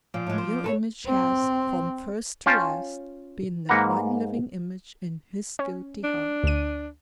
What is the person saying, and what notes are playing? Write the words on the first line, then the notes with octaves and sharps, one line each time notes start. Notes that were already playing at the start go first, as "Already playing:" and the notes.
Your image has, from first to last, been the one living image in his guilty heart.
A#2 F3 D6
A2 G#3
C5
A4 B4 C#5
C4
C#4 F4 G5 A5
G#2 A#3 B4 F#5 A#5
C#4
D4
D2 D#7